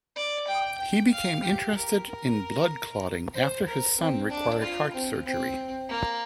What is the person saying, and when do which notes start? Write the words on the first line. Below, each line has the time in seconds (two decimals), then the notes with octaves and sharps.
He became interested in blood clotting after his son required heart surgery.
0.16 D5
0.48 G5
0.80 G5
1.11 F5
1.43 G4
1.75 A#4
2.07 A#4
3.34 C5
3.67 A#4
3.98 C4
4.30 D4
4.62 F4
4.94 C4
5.26 C4
5.89 A#3